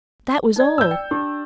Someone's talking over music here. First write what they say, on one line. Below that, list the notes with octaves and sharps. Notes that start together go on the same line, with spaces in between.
That was all!
D#4 D5
E6 G6
G5
D4 G4